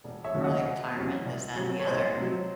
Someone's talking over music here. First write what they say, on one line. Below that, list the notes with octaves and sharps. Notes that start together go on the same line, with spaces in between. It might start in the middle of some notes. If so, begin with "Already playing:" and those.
early retirement, this, that, and the other,
E1
C#5 E5
D#2 C#3 F#3
D#5 F#5
E1
E2 C3 F#3
C2
C3 F#3
C#5
C2 C5 D#5
C3 F#3